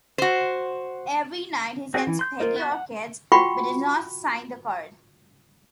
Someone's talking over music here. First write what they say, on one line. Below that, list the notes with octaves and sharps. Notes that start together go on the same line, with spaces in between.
Every night, he sends Peggy orchids, but does not sign the card.
F#4 C5
C4 F#4 G#4
E3
C6 G6
F4 A#4 C5 D#5
B3 F#4
F#5
F4 F#4 F#5 G5 B5 C#6